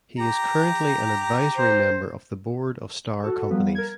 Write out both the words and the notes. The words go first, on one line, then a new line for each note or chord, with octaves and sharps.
He is currently an advisory member of the board of Starr Companies.
G4 A#5
C5
F#4 A4
F3 G3 A#3 B3
A#4 G#6